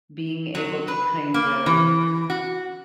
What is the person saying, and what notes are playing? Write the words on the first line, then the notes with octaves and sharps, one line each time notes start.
being able to kind of,
F#3
B4
A#3
E3
F#4